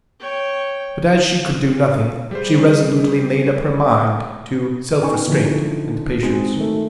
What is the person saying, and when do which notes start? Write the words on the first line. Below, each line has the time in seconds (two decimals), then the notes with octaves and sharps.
But as she could do nothing, she resolutely made up her mind to self-restraint and patience.
0.20 C#5 G5
2.31 G3 G#4 C5
5.00 C#4 D#4 B4 G5 G#5 C#6
5.27 D3 E3 F3 C#4 D#4
6.23 G#3 C4 D#4 F#4
6.56 D#3 A3